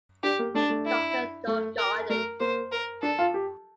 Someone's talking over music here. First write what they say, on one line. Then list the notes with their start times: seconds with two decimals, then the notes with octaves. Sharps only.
Doctor Dov Yarden.
0.23 D4 G4
0.39 A#3
0.54 A3 D4
0.70 A3
0.86 E4
1.47 A3
1.78 A#4
2.09 A3 A#4
2.40 A#3 C5
2.72 A#4
3.02 D4 A4
3.19 F4
3.34 G4